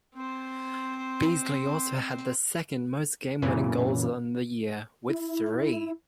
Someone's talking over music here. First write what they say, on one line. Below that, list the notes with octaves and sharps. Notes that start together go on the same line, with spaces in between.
Beasley also had the second most game-winning goals on the year with three.
C4 C5
F#2 A#2 C#3 E3
E4